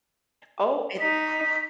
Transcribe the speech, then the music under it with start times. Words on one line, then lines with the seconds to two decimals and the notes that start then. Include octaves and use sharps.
Oh, and, oof.
1.00 D#4 B6